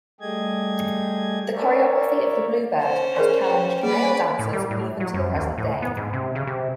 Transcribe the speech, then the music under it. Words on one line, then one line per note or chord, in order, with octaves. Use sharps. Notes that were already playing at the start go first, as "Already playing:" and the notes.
The choreography of the Bluebird has challenged male dancers even to the present day.
G3 A3 G4 G#4 D#5 G#6
A#4 C#5 D5 E5
C#4 C5
G#4 A#4 D5
B4 C#5 G5
A#3 G#4 B4 D5
A2
G3
A2
F#3
F#2
D#2
A2
B3
G#2
C3
C#3
C3